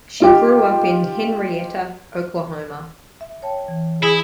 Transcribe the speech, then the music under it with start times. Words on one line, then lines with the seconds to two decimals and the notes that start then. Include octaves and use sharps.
She grew up in Henryetta, Oklahoma.
0.20 D#4 F4 G4
3.21 E5
3.42 C#5 G5 A5
3.68 E3
4.03 E4 G#4